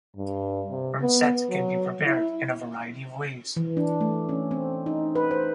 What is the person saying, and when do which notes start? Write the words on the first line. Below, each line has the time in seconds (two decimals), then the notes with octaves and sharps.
Ensete can be prepared in a variety of ways.
0.16 G2
0.70 C3
1.02 B3
1.49 F#3
2.06 E4
3.56 E3
3.77 D4
4.01 A3
4.29 C#4
4.51 C4
4.86 D#4
5.15 B4
5.31 C5